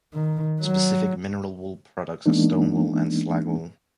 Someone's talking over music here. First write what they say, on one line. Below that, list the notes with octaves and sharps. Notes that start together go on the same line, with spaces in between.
Specific mineral wool products are "stone wool" and "slag wool".
D#3
F#3
E3 G#3 A#3 B3 D4 D#4